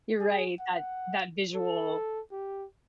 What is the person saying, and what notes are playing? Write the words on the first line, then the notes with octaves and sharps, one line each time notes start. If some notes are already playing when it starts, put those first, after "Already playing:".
You're right, that that visual
G#4
F#5
A4
G4